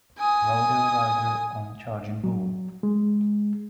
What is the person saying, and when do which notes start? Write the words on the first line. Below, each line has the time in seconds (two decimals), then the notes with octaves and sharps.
Rodeo rider on charging bull.
0.18 G#5 D#6
2.24 F#3
2.83 G#3